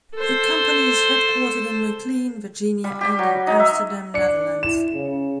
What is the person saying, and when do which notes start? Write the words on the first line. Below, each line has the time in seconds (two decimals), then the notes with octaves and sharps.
The company is headquartered in McLean, Virginia and in Amsterdam, Netherlands.
0.16 A4 C5
2.84 G3
3.01 G4
3.19 F#3
3.47 D#4
3.60 E5
4.14 D4 C#7
4.63 E4 E7
4.93 C#3